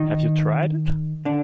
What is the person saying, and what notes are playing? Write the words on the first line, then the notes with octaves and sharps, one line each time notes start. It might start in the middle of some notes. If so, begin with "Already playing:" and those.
Have you tried it?
Already playing: D#3 D#4
D3 D4